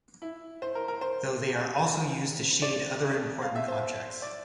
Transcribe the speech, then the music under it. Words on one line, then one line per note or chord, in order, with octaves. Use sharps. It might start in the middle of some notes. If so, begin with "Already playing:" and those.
Though they are also used to shade other important objects.
E4
C5
A#4
A#4
C5
D5
F5
E5
C5
D5